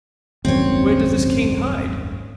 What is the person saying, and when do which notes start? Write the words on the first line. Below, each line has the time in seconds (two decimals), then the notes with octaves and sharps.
Where does this Kane hide?
0.45 D#1 G#1 F#2 C4 C#5